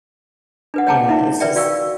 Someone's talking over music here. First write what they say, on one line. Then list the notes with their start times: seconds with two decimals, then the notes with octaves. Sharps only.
Yeah, it's just
0.74 D4 B4 F#5
0.87 C#5 F#5 G5 A5 A#5 D6
1.08 D#4 E4 E5 A#5
1.40 B4 D5 E5 G5
1.56 F#4 D5 F5 G5 C#6 E6